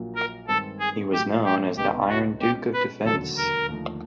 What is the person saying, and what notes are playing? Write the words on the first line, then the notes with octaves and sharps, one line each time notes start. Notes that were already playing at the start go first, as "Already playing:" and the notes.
He was known as the Iron Duke of Defense.
Already playing: A#1 A#2 F#3 A#3
A#4
G2 D#3 G#3 C4 A4
G#4
A1 A2 F#3 A3 G4
G4
C#2 B2 G#3 B3 D#4 G4
F#4
B2 G#3 C#4 G4
B4
E1 D#2 D3 F#3 A#3 A4
A#4
D#2 D3 F3 A3